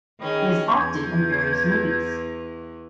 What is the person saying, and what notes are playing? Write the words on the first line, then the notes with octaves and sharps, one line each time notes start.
He has acted in various movies.
D#3 C#4 G#4 G5 B5
E2 E3 G6 G#6